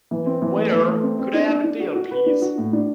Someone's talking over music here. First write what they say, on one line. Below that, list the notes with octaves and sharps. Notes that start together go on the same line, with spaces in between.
Waiter, could I have the bill please?
E3
C4
E3
A3
E3
A3
C4
C4
D4
D4
D4
F#4
F#4
B4
D4
F#4
A2
D4